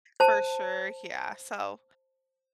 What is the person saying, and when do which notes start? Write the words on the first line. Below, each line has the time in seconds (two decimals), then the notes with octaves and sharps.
For sure, yeah, so,
0.20 C5 A5